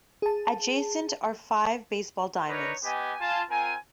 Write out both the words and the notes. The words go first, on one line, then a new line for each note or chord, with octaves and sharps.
Adjacent are five baseball diamonds.
G#4 A5
D4 D#4 A#4 B4 C#5 A#5
B3 G4 D#5 G#5
F4 G#5 A5
C4 F4 A#4 G#5